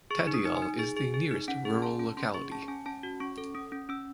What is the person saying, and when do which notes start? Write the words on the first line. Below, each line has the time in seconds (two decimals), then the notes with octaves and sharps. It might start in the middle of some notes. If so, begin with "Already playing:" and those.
Tadiyal is the nearest rural locality.
0.11 G#4 C#6
0.27 D#4
0.34 D#6
0.45 D#4
0.56 G#5
0.62 D#4
0.79 G#4
0.97 G#4
1.14 G#4
1.31 D#4
1.48 C#4 F#5
1.65 G#4
1.78 C6
1.82 C#4 A5
1.99 C#4
2.17 C#4 C6
2.34 G#4 C#6
2.51 C#4 A5
2.68 C#4 G#5
2.86 C#4 A5
3.03 F#4
3.20 C#4 C#6
3.38 A4
3.55 C#4 D#6
3.72 C#4
3.89 C#4 E6